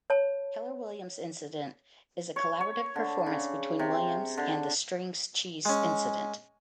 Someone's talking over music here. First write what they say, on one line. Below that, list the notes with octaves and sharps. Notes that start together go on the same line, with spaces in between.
"Keller Williams Incident" is a collaborative performance between Williams and The String Cheese Incident.
C#5 A5
C#5
C#5
D3
C#3
C3
D3
G#3 C#4